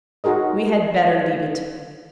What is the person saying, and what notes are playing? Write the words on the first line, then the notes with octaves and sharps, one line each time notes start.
We had better leave it.
D#4 F#4 G#4 A#4 D#5